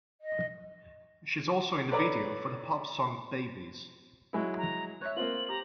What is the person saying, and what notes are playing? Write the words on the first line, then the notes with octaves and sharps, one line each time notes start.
She is also in the video for the Pulp song "Babies".
D#5
A4 B4 C#5 D5 A#5 D6
F#3 G#3 E4
A#5
C#5 E5 F#6
A#3 C4 F4 F#7
G4 A#5